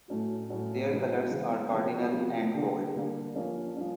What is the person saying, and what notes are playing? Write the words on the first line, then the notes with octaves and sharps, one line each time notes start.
Their colors are cardinal and gold.
A2 F#3 A3 C#4 F#4
A2 F#3 A3 C#4 F#4
C#3 E3 G#3 B3
C#3 E3 G#3 B3
C3 F3 A#3
C3 F3 A#3
D3 G3 A#3 D4
D3 G3 A#3 D4
F3 A#3 C#4
F3 A#3 C#4